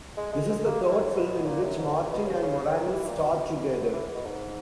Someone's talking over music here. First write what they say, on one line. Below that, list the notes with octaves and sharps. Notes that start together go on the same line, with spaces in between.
This is the third film in which Martin and Moranis starred together.
G#3
G#3
G#3
A#3
F#3
E3
D#3
C#3
B2
A#2
F#2
G#2
A#2
B2
C#3
C#3
D#3
E3
A#2
B2
B2
F#3
E3
B2
G#2